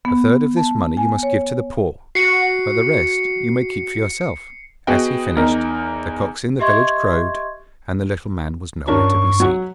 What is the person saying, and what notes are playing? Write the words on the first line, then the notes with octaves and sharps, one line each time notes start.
A third of this money you must give to the poor, but the rest you may keep for yourself.' As he finished, the cocks in the village crowed, and the little man was nowhere to be seen.
B3
A5
G#5
C#5
F#4 C7 C#7
B3 F#4 G#4 D#5 G5
E2 D#4 A#4
G4 D#5 E5 C6 C#6 G#6
G2 C#4 D4 A#4 C#6
F#3 F#5